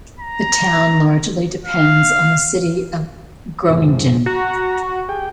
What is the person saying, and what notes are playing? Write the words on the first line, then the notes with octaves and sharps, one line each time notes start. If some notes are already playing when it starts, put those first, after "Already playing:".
The town largely depends on the city of Groningen.
A#5
F5
F2 G#2 C3
F#4 A#5
G4 G#4 G5